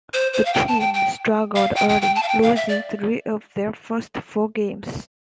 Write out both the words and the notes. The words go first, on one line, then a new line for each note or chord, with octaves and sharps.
The team struggled early, losing three of their first four games.
C5
C5
F5
G5
A5
G5
G5
F5
G5
G5
G5
A5
F5
G5
F5
E5
D5